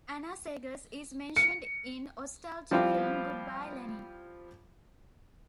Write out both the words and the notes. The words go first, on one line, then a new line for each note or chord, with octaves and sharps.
Anna Seghers is mentioned in the ostalgie film, "Good Bye Lenin!".
C#7
F3 G3 C4 E4 F4